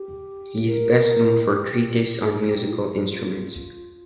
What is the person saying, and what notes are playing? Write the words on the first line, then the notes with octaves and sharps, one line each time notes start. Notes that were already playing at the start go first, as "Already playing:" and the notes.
He is best known for a treatise on musical instruments.
Already playing: G4
A#4
G4
D#4
F4